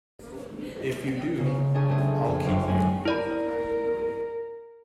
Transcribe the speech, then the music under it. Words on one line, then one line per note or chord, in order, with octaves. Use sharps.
If you do, I’ll keep you.
C#3 A#3
C#4 D4 G#4 G#5
A3 C4 G#4
F2
G1 F#2 F#3 C4 F4 D6
G#5
E4 A#4 D5 B5